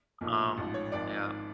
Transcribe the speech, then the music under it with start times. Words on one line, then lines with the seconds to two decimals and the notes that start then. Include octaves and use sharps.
um yeah,
0.21 B1 A#2 F3
0.57 A1 G#2 F3
0.74 C#5
0.92 G#1 G#2 F3 D5